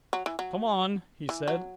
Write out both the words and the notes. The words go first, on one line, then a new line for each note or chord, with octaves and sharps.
"Come on!" he said.
F#3
E3
F#3
E3
F#3